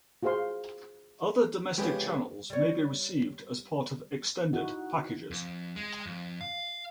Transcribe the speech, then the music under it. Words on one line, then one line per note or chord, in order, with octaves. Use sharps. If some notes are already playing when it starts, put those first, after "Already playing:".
Other 'domestic' channels may be received as part of extended packages.
F4 F#4 G#4 C5 F5 C6
F2 C#3 G#3 B3 G4 B4
G3 C#5
D#4 E4 F#4
F2
G#3
F2
F5